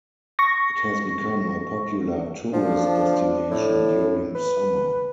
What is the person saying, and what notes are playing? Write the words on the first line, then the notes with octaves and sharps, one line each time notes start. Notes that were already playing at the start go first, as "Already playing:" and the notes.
It has become a popular tourist destination during summer.
C#6 A#6
F3 D4
A2
B4